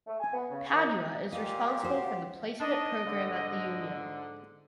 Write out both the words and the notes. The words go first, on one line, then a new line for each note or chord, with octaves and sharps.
Padua is responsible for the placement program at the union.
A3
G#5
B3
C#3
D#2
D#4
A#2 G4 D#5 F5
F#4 C5
D4 D#4 D#5
G#2 D3